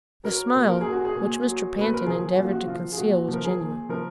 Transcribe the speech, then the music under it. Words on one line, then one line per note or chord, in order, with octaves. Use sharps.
The smile which Mr. Pantin endeavored to conceal was genuine.
F#3 A#4
A#2
A#4
F#3 G#4
F#4
G#4
A#2
F#3
A#2 B4
A#4
F3 G#4
A#2 F#4
F4
F#4
F3 F4
G#4
A#2 F#4
F3
A#4
G#4
A#2
F3 A#4